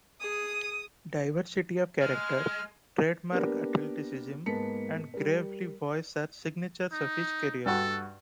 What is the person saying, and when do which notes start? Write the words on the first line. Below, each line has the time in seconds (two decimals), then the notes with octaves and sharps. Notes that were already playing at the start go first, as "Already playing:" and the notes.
Diversity of character, trademark athleticism, and gravelly voice are signatures of his career.
0.21 G#4 D#6
2.01 G#3 F6
3.32 A#3 B3 D4 G4 A#4
4.46 G#2 A#3 B3 A5 B6 C#7
5.14 G3 A#4
6.92 D#4
7.66 G2 F#4 A4